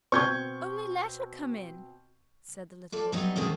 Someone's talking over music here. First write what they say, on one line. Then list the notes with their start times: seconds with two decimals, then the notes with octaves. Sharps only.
"Only let her come in!" said the little boy.
0.12 B2 C4 C#6 G6 G#6
2.92 F3 A4 D5
3.12 G2 F#3 G3 B3 D#4
3.36 E2 B2 D#3 G#3 C4 C#4